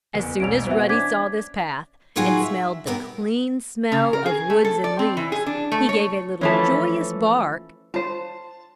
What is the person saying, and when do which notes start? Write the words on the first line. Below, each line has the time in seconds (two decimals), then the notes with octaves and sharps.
As soon as Ruddy saw this path, and smelled the clean smell of woods and leaves, he gave a little joyous bark.
0.15 F#1 E2
0.40 E1 B1 C#4 D7 F7
0.67 E3 B3 F#4 C5 E5
0.89 C#4 D4 D6 G#6 B6
2.16 A2 D#3 F#3 F4 F#4 G#4
2.42 E5
2.86 G2 C3 B3 A#4
3.92 C#3
4.13 A#4
4.26 G#4
4.50 A3
4.64 A4
4.84 D5
4.99 C4
5.17 E3
5.32 G#4
5.46 D4
5.72 A3
5.89 C#5
6.41 E3 F3 A3 C#4 E4 A5
7.94 F4 C5 A5